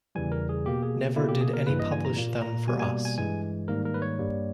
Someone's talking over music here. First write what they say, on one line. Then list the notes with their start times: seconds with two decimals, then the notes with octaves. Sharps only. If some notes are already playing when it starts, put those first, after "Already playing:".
Never did any publish them for us.
0.15 E2 C#3 E3 G3 G#5
0.32 A#4
0.49 G#4
0.65 B2 A#3 G4
0.83 G#4
1.16 B2 A#3 E4
1.29 G4
1.41 G#4
1.54 A#4
1.67 G2 E3 A#3 B4
1.79 D#5
1.92 G#5
2.05 A#5
2.16 A#2 A#3
2.42 A#5
2.67 B2 G3 A#3 G#5
2.80 G#5
3.05 G#5
3.18 G2 E3 G#3 G#5
3.68 G#2 D#3 G3 A#3 A#4
3.85 A#4
3.94 B4
4.02 C#5
4.19 G2 G3 A#3